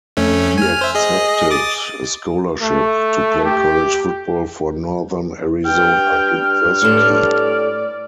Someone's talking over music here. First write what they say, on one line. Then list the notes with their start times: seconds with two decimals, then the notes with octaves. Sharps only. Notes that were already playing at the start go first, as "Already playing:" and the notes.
He accepted a scholarship to play college football for Northern Arizona University.
0.17 F2 A3 C#4
0.58 G#5 F6
0.81 C5 E5
0.95 G#4 D#5
1.51 D6 D#6 A6
2.62 A3
3.45 G4
5.66 G2 G5 F6
6.82 A2 A4 D5